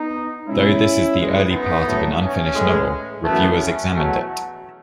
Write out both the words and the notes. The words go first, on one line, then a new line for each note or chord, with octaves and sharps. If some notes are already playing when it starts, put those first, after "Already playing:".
Though this is the early part of an unfinished novel, reviewers examined it.
Already playing: B3 D#4
B2 G#3 C#4 E4
F#2 E3 G#3
B3 D#4
A2 F#3 A3
C#4
A2 E3 G#3
F#2 E3 A3 B3
C#4
E2 B2 F#3 A3